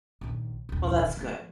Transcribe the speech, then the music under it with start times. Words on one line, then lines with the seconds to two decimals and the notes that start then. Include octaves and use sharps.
Well, that's good.
0.21 A#1 D#2
0.69 D#1 C2
1.17 F3 A3